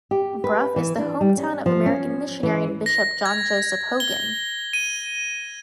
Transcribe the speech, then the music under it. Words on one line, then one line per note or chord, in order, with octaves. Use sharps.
Bruff is the hometown of American missionary and bishop John Joseph Hogan.
G4
B4
E3
D4
G3
C#4
F3
C#4
E3
A#6
G#6
G7
D#7